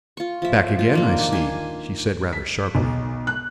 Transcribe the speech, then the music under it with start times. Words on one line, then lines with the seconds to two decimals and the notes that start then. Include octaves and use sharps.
"Back again, I see," she said rather sharply.
0.17 F4 C#6
0.42 F3 E5
0.79 F4
0.93 D#3 A#3 D4
1.32 G#5 C6
2.33 B6
2.75 B1
3.27 F#6